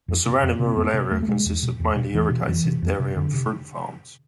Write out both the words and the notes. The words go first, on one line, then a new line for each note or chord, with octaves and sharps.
The surrounding rural area consists of mainly irrigated dairy and fruit farms.
F2
C3
F2
C3
C4
F2 B3
C3
E2 A3
A3
B2 G#3
E2
B2
E2
B2
E2 E3
B2
F2 E3
C3
F2
C3
F2 D3
C3